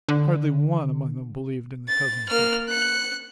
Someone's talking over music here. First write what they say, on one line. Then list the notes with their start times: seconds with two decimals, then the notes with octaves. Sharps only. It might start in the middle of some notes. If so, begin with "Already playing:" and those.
Hardly one among them believed in the cousinship.
0.09 D3
1.88 A6
2.28 A#3 F6
2.68 F#6 C#7